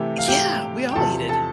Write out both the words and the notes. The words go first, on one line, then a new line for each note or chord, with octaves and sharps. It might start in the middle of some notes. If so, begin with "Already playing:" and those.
Yeah, we all eat it
Already playing: C3 E3 A3 E4 G4
F5
G4 G5
G5
E2 C3 F3 A4 A5
A4 A5